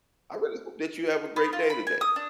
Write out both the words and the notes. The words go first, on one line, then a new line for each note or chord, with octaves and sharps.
I really hope that you have a great day today.
B3
F4
B5
G#5
D#6
D4